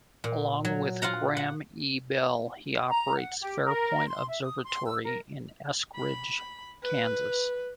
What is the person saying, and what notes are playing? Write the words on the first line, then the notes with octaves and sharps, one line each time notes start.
Along with Graham E. Bell, he operates Farpoint Observatory in Eskridge, Kansas.
A#2
F#3
F4 F5 F#5 A#5
F#5
A#5
F#5
G4
A#4
C6
E5
D#6
C6
E6
A#4
B5
B4